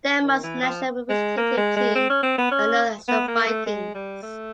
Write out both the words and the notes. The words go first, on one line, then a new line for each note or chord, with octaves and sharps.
Denmark's national representative team are known as the Vikings.
D#3
E3
F3
G#3
A#3
G#3
G#3
C4
C#4
C4
B3
C#4
B3
A#3
A3
G#3
G3
A3